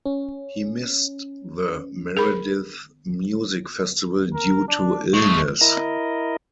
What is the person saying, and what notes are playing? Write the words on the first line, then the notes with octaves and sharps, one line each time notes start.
He missed the Meredith Music Festival due to illness.
C#4
G#4 A#4 B5
A#4
D4
G#3 A3 C#6
E4 A#4 D#5